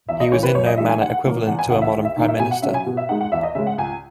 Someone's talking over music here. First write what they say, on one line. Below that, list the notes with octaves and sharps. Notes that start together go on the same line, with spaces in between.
He was in no manner equivalent to a modern Prime Minister.
E2 E5
D#5
C#3 E3 C#5
B4
F#2 C#5
D#5
E3 G#3 D#4 E5
G#5
D#2 F#5
C#3 E3 A#3
E2 F#5
G#5
C#3 E3 F#5
E5
D#2
E5
D#3 A#3 D#4
E5
B2 G#5
F#5
F#3 C#4 E5
G#5
B2
E5
G#3 D#4 F#5
F#5
E2 E5
D#5
C#3 G#3 E5
F#5
C#2 G#5